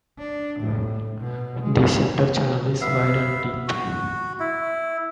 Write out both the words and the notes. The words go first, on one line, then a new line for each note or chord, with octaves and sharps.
The center channel is wide and deep.
D4
A2
B2
G#3
B3 E5 F5
F#4
E4